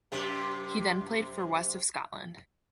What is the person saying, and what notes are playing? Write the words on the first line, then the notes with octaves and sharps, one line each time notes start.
He then played for West of Scotland.
F#2 C3 G4